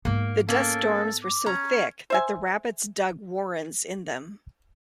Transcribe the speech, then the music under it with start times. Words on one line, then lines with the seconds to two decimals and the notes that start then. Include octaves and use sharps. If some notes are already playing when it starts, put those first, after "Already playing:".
The dust storms were so thick that the rabbits dug warrens in them.
0.05 G#2 A#3 B3
0.49 A#3 C#4 A4
1.23 D6
1.46 C#4 A#5
2.10 C5 E5 G#5